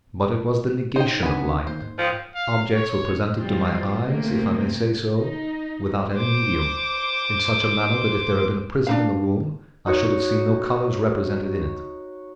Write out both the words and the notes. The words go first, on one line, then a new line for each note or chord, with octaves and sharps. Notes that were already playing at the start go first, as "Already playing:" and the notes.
But it was the negation of light; objects were presented to my eyes, if I may say so, without any medium, in such a manner that if there had been a prism in the room I should have seen no colours represented in it.
D#4 C5 G5
C#3 B3 C4 D4 G#5
D#3 A#3 C5
G#2
F3 F5 G5 D#6
F5
C#5
E3 F#3 G3 C4 F4
C3 A3 A#3 C4
D#4
C5 D6
D4 D#4 F5
D#4 F#4 C#5